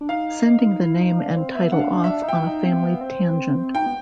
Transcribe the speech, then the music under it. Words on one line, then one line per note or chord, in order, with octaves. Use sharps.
Sending the name and title off on a family tangent.
D4
D#4 F5
D#4
E4
D#4
D4
C4
B3 E5
D4 F#5
F5
D4
E5
D4
D#4
E4 G5
D#4
C4
B3
C4
D#4 G5
B3